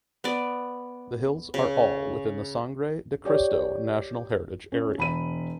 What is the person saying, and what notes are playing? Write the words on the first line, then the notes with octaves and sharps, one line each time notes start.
The Hills are all within the Sangre de Cristo National Heritage Area.
B3 D5
C#3
G4 C#5 D5
C#4
E1 B5 D#7